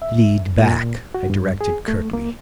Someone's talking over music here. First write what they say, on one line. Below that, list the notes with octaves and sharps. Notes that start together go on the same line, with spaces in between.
"Lead back," I directed curtly.
E5
A#2
F#4
G2
G#4
A3
A#3